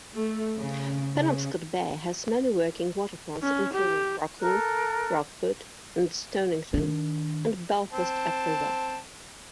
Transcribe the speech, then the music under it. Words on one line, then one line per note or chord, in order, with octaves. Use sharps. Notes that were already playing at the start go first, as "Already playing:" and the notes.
Penobscot Bay has many working waterfronts including Rockland, Rockport, and Stonington, and Belfast upriver.
A3
C#3
C#3
C#4
G4
A4 A#4 F#6
D#3 D4
C4 A5